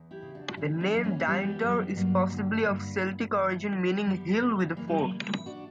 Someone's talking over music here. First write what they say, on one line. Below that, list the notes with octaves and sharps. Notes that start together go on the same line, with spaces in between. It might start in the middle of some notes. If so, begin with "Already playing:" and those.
The name Dinedor is possibly of Celtic origin meaning "hill with a fort".
Already playing: E2
E4 G4
C#3
D4 F#4
F#4
E3 C#4 E4
B3 D4
F#2 B3
A#3 C#4
E3 G3 B3
F#2
G2 F#3 A#3
D3
G2
G2
E3
F#2
F#2 G3 B3
C#3
E3 A#3
G3
F#3 A#3
E3
E4
D4 F#4